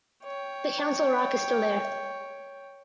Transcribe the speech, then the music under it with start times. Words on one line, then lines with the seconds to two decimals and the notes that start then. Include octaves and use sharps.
The Council Rock is still there.
0.23 C#5 G5